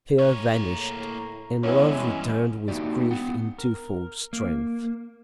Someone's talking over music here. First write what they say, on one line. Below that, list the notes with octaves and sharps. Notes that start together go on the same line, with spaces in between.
Fear vanished, and love returned with grief in twofold strength.
A2 A#3 C#5 A#5
E2 G2 G#3 B3 C#4 E4
A#3 D#4 E4 F#4 G4 D5
B3 F#5 G5
A#4
A#3